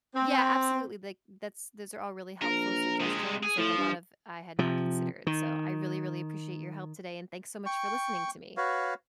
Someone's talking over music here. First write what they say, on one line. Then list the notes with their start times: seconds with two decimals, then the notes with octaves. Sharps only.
Yeah, absolutely, like, that's those are all really helpful suggestions, like, a lot of I had not considered, so, I really, really appreciate your help today, and thanks so much for listening to me.
0.15 C4
2.42 A#1 A#4
3.00 C3 G#3
3.43 G#4
3.58 A2 F3
3.77 G2
4.59 C3 F3
5.27 D#3
7.66 G5 C#6
8.57 F#4 B4 C#5 F5